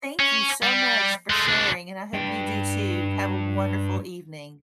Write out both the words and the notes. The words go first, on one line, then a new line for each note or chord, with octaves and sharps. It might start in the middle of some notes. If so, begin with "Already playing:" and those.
Thank you so much for sharing, and I hope you do, too. Have a wonderful evening.
C#4
G3
G#3 A3
C2 D4
G2 G5